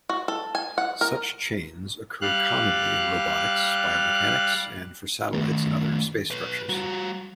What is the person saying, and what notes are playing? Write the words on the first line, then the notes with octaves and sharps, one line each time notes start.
Such chains occur commonly in robotics, biomechanics, and for satellites and other space structures.
F#4
A4
G#5
F#5
A#4
G3 F5 F#6
D#3 A3
B4 C#5
G3 F#4